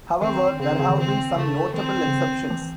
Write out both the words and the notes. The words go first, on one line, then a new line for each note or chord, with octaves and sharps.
However, there have been some notable exceptions.
D#3 C4
C#3 C4
C#3
D#3
C#3 C4
C#3 A3
D#3 C4
C#3
D#3
E3